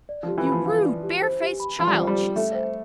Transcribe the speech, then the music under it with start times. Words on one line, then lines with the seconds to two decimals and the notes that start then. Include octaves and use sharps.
'You rude, barefaced child!' she said.
0.09 D5
0.23 F3 G4
0.38 E3
0.47 B5
0.52 F3
0.66 E3 F5
0.85 D5
1.03 G4
1.22 C5
1.42 G4
1.60 B5
1.79 F3 F5
1.87 G3
1.95 F3 C5
2.07 G3
2.17 G4
2.36 A3 E5
2.54 C5